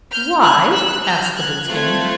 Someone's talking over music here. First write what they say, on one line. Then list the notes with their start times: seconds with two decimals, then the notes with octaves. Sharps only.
"Why?" asked the Blueskin.
0.11 F6 G6
0.42 F#6 G#6
0.73 E6 F#6
1.05 F6 G6
1.36 F#6 G#6
1.67 A3 C4 F4 A4 F#6 G#6